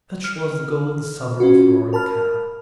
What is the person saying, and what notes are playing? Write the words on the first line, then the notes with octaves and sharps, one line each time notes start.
Such was the golden summer of Roaring Camp.
F6
C#4 F4 F#4
A#4 A5 B5 F6